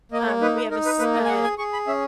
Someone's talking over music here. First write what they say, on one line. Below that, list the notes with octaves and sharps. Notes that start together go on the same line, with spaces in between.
Um, we have a s a
A#3 D#5
C#5
D#4 B4
B4
D#4 A#4
B4
A#3 B4
D#5
G#5
G#4 F#5
G#5
G#4 C#6
B5
C#4 E5